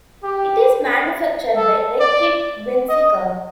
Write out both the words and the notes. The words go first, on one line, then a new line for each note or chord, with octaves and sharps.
It is manufactured by Reckitt Benckiser.
G4
A4
D5
D#5